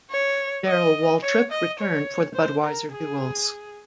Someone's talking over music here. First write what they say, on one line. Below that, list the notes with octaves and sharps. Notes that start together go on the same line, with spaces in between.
Darrell Waltrip returned for the Budweiser Duels.
C#5
D#5
C#5
D#5
C#5
C5
A#4
G#4